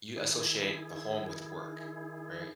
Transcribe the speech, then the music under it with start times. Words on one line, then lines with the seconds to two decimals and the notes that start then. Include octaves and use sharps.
you associate the home with work, right?
0.17 D#3 E4 G#4